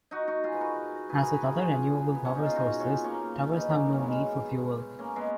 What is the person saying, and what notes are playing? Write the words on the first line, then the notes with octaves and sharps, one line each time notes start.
As with other renewable power sources, towers have no need for fuel.
D#4 F#4
D#4 F#4
F4 G#4
B4
F#4 A#4
G#4 B4
F#4 A#4
G#4 B4
F#4 A#4
F4 G#4
B3
C#4
D#4
F4
D#4 F#4
C#4 F4
A#3 C#4
B3 D#4
A#3 C#4
F#3 A#3
C#4
G#3 B3
A#3 C#4
G#3 B3